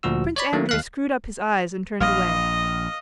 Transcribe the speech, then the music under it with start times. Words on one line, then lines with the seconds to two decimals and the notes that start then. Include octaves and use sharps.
Prince Andrew screwed up his eyes and turned away.
0.03 D2 A#2 F3 F#4 E6
0.36 C#5 D5 B5
0.53 D#3 F#3 A3 A#3
0.69 D#2 F5 F#6
2.00 A#1 D#5 F5